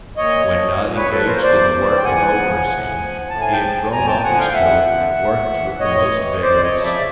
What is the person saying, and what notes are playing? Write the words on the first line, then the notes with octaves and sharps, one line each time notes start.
When not engaged in the work of overseeing, he had thrown off his coat and worked with the most vigorous.
A#2 C#5 D#5
F3
A#2
B4 C#5
F3 A4 B4
A#4 C5
E2 C5 D5
C#3 F3
G5
E2 F#5 G#5
C#3 F3
A2
F3
A2 A5
G#5
G5 A5
F3
F2 G#5 A#5
G5 A5
D3 F3 F#5 G#5
F5 G5
F5
F2 E5 F#5
D3 F3
A2
E3
A2 C#5 D#5
E3
F2 C5 D5
C#5 D#5
C#3 F3
D5 E5